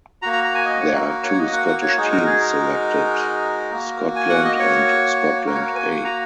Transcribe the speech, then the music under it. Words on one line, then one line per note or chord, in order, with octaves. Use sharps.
There are two Scottish teams selected: "Scotland" and "Scotland A".
A#3 F#4 A#5
A#5
A#5
G#5
D#5
C#5
A#4
A#4
C#5
F#5
D#5
F#5
F#5
C#5
G#3 D#4 F#4
A#4
G#4
A#4
A#3 F#4
G#5
F#5
D#5
C#5
A#3 F#4 A#4
C#5
A#4
G#5
F#5
A#5